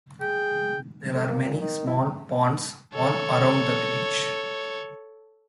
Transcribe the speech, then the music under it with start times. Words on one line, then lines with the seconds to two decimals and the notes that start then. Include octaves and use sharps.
There are many small ponds all around the village.
0.21 G#4 G5
1.14 A3
1.27 A#3
1.45 A#2
1.61 D#3
1.87 E4
2.94 A4 C#5